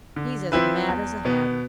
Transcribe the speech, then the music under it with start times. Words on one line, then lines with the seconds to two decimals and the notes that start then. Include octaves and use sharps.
He's as mad as a hatter.'
0.16 D3
0.52 F3 C4 E4 B4
0.88 E2
1.25 B2 B3